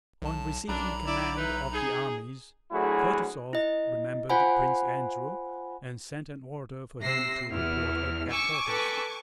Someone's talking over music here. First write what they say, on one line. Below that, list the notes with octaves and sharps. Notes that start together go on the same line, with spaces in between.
On receiving command of the armies Kutuzov remembered Prince Andrew and sent an order for him to report at headquarters.
B1 A5
B1 F#2 D4 A#5 B5
E4 D5
D#4 E4 B4
D#4 G#4
D2 A2 F#3 E4 F#4 G#4
E4 D#5
F4 C5 F#5 G#5 B5
C3 E6 A#6 C7
E2 E4 F6
G#5 C#6 D6 E6 C#7
A4 B4